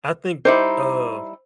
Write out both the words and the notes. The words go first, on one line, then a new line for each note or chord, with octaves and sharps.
I think, uh,
G3 D#4 E4 C5